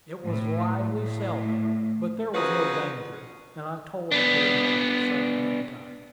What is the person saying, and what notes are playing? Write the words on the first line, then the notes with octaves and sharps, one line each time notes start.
It was lively sailing, but there was no danger, and I told the fair maiden so many times.
A2
A2
C#3 F3 D#4 F#4 G#4 B4
B3 D4